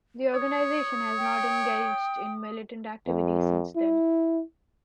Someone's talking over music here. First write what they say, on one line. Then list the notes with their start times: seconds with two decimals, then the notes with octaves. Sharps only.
The organization has not engaged in militant activity since then.
0.34 C#5 D#6
1.18 G5
3.07 F2
3.76 E4